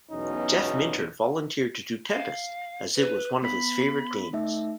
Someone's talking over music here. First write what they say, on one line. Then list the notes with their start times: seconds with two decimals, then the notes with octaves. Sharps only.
Jeff Minter volunteered to do "Tempest" as it was one of his favorite games.
0.11 B1 E2 B2 C#4 D#4
2.12 F5
2.96 B4
3.42 B3 B5 B6
4.33 A3 D#4 E5